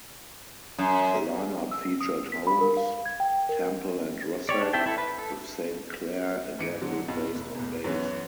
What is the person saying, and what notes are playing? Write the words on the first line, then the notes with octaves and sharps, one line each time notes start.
The line-up featured Holmes, Temple and Russack, with Saint Clare again replaced on bass.
F#2
E6
D#6
B6
B5
A#4
F5
G#6
G5
A#4
G4 C#5 D5
D4
C4 E4 E5 G5 A5
E4 A4
B4
A4
G#2 E3 D#4 C#7 D7
D3 F#3 G#3
F2 B2
F1
B1 E2
F#2 E3 B3 C#4